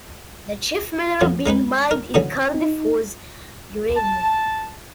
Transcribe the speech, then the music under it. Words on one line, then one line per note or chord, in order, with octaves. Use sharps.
The chief mineral being mined in Cardiff was uranium.
F2 E3 F#3
G#3 D#4 G#4 B4
A#4
B2 D3 E3 F#3 C#4 G#4
D#4
A5